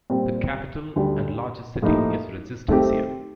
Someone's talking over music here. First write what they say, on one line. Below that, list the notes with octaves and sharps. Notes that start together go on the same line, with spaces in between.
The capital, and largest city, is Resistencia.
A#2 G3 C4
D2 D3 G3
A2 F3 A#3 D#4 G4
D#3 A3 C4 G4